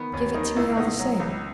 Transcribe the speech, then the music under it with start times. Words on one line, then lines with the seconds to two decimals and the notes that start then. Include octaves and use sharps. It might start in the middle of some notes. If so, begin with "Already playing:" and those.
"Give it to me all the same."
Already playing: D#3 B3
0.13 D#2 C#4
0.34 D#3 D#4
0.56 C#2 E4
0.77 B2 D#4
0.99 F#3
1.20 C#2